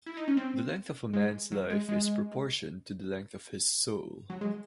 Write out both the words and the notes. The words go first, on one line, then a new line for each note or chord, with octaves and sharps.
The length of a man's life is proportioned to the length of his soul.
E4
D#4
C#4
C4
G#3
F#3
G#3
G#3
F#3
G#3